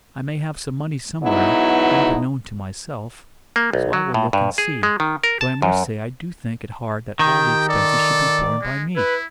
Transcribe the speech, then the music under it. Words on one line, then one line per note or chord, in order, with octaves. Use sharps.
I may have some money somewhere, unbeknown to myself, so I will look and see; though I must say I do think it hard that all the expenses should be borne by me!'
G#2 B2 F#3 B3 D#4 E4
A#3
B1
F#3
A2
G2
G#4
G#3
D#3
A#4
A5
F#2
D#3 G4 G5
A4 D5
G#3
E4 B4